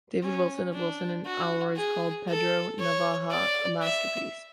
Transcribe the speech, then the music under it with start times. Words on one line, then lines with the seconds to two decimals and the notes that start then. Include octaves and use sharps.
David Wilson of Wilson and Alroy's called "Pedro Navaja" a "masterpiece".
0.23 C#4
0.74 D4
1.26 F#4
1.76 G#4
2.29 A4
2.79 C#5
3.30 D5
3.82 E5